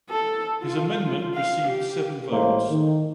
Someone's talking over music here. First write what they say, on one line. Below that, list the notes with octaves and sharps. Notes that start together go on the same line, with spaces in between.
His amendment received seven votes.
A4
F4
F5
G4
A1 A2 G#3 A#3 C5
D#3